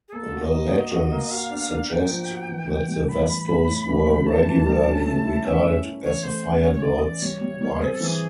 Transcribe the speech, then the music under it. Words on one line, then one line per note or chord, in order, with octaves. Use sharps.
The legends suggest that the Vestals were regularly regarded as the fire-god's wives.
G#4
A#3 A4
F#4
D#5
A#3
F#4
F#4
A#3
F#4 F5
D4
D4
D4 G5
F3
F#4
E3
E3
G3
A2 B5
E3
A2
A2
E3
A2
A2 A5
E3
G3
C#4
A3
E4
C#4 E5
E4
E4
E3 C#5
A3 C5
C#4
C#4 C#5
C#5
E4 D5
D#5
E3 D5
G3 C#5
G3
G3
C4 G#4
A4
E3 G#4